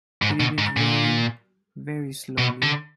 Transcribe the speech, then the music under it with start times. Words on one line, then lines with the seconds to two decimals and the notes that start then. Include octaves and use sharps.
He did it very, very slowly.
0.22 G#2
0.40 B2
0.58 G#2
0.77 A#2
2.38 B2
2.63 D3